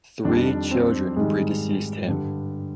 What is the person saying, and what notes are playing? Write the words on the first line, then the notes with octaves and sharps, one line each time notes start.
Three children predeceased him.
F2 D#3 G3 D4
C4
G#2 D#3 G3 G#3
G2 D3 G3